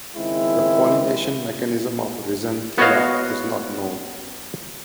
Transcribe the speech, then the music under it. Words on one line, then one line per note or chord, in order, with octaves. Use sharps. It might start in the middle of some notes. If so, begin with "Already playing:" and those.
The pollination mechanism of "Rhizanthella" is not known.
C#2 D#3 G#3 C4 E4
B3 F#4 C#5 D#5 F5